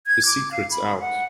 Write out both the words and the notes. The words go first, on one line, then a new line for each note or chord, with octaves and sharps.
The secret's out.
G#6
D6
F5
B5
F#5